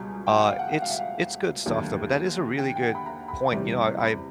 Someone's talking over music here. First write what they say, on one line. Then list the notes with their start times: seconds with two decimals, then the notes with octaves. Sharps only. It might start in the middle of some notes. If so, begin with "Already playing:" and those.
Uh, it's it's good stuff, though, but that is a really good point, you know, I I
Already playing: C#2 B2 G3 G#5
0.27 G5
0.38 F#5
0.48 F5
0.59 F#5
0.72 F#5
0.82 F5
0.90 E5
0.99 F5
1.66 D#2 D3 F#3 A3
2.58 G5
2.76 G5
2.82 F#5
2.95 B5
3.06 A#5
3.28 B5
3.51 E2 C3 E3 G3
3.99 B5